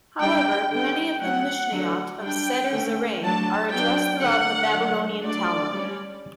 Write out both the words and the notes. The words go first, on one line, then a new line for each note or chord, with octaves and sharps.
However, many of the mishnayot of Seder Zeraim are addressed throughout the Babylonian Talmud.
G3 D4 G5
D3 G3 B3 G5
F#3 A3 C#4 F#5
D3 F#3 A3
G3 D4 G5
D3 A3 C#4
F#3 A3 D4 A5
F#3 B3 D4 G5
D3 A3 D4 F#5
D3 F#3 A3
F#3 A3 D4 D5
G3 C#4